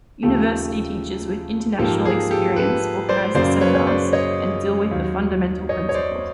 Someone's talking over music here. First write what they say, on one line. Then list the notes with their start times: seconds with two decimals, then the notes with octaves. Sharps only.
University teachers with international experience organize the seminars and deal with the fundamental principles.
0.23 D#2 C#3 F3 A3 G4 A4
1.79 G#2 F3 A#3 G4 A4
2.05 G#4
2.31 G4 A4
2.56 A4 B4
3.09 C5 D5
3.34 F#2 C#3 F#3 A#3 C5 D5
3.61 B4 C#5
3.75 C#5
3.87 C5 D5
4.13 C#5 D#5
4.91 D#2 D#3 F#3
5.69 C#5 D#5
5.89 C#5
5.94 C5 D5